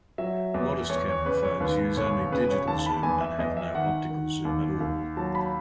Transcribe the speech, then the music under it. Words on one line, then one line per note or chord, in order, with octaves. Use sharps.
Modest camera phones use only digital zoom and have no optical zoom at all.
F#3 E5
E2
E2 C#5
C#5
C#3 B4
C#5
D#2 B4
E1 C#5
C#3 B4
C#5
D#2 A5
A5
B5
E2 G#5
E5
E2 D#5
E5
D#3 F#5
D#3
D#2
D#2
F#3 A5
B5